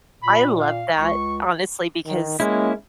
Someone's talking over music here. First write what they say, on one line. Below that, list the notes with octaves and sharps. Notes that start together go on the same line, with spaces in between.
I love that, honestly, because,
A#2 B5
F5
C#2 C#6
D#3
G#3 A#3 C#4 E4